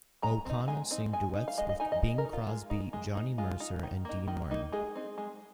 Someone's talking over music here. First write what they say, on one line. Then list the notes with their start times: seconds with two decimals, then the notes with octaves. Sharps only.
O'Connell sang duets with Bing Crosby, Johnny Mercer, and Dean Martin.
0.22 G#3 A#5
0.45 C4 D#4
0.68 G#3 G#5
0.91 C4 D#4
1.13 G#3 G#5
1.35 D#4
1.48 F5
1.58 G#3 D#5
1.69 D#5
1.80 D#4 G#5
1.92 D#5
2.03 G#3
2.18 A#4
2.25 D#4
2.33 F4
2.48 G#3
2.70 D#4
2.93 G#3
3.15 D#4
3.38 G#3 F4
3.60 D#4
3.83 D#3
4.05 A#3 D#4
4.28 D#3
4.51 A#3 D#4
4.72 G#3 G#4
4.95 C4 D#4
5.18 G#3